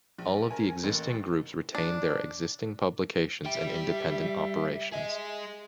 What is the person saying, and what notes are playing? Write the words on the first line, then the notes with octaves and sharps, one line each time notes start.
All of the existing groups retain their existing publications and independent operations.
A#1
A#4 G#5
A1 A#3
D4
G3 E5 G5
G#4 D#5